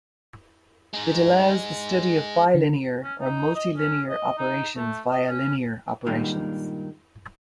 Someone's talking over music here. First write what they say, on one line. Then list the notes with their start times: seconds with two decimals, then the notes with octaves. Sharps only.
It allows the study of bilinear or multilinear operations via linear operations.
0.94 G#3 D#4
2.55 D3
3.04 C#4
3.20 D#4
3.55 D#5
3.77 C#4
4.09 D#5
4.38 D#4
4.76 A3
5.10 D#5
5.28 C#4
6.06 G2 A#2 D#3 G3 G#3